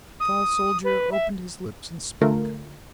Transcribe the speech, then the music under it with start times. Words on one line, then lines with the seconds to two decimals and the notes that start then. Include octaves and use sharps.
The tall soldier opened his lips and spoke.
0.20 D#6
0.84 B4
1.12 E5
2.21 D3 A3 F4 A#4